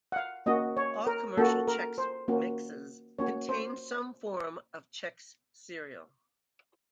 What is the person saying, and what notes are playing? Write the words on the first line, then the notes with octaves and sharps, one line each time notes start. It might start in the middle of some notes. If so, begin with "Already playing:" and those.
All commercial Chex mixes contain some form of Chex cereal.
F#5
F5
A#3 C#4 F#4 D#5
C#5
A#4
A#3 C#4 F#4 A4
A#4
C5
A#3 C#4 F#4
A#3 C#4 F#4 C#5
C5